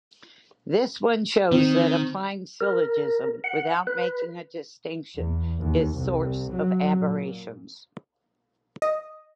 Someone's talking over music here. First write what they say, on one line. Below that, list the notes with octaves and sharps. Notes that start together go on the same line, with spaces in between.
This one shows that applying syllogism without making a distinction is source of aberrations.
D#3 C4
A#4
F#5
B4
E2
D#2
C2
F#3
A#2
D#5